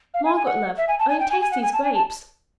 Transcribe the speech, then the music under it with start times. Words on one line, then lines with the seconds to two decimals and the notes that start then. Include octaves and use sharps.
Margaret love, only taste these grapes!
0.14 F5
0.25 G#5
0.36 G#5
0.46 F#5
0.78 E5
0.88 G#5
0.99 A5
1.09 G#5
1.20 G5
1.30 G#5
1.41 G#5
1.52 F#5
1.63 G#5
1.73 A5
1.84 G#5
1.95 A5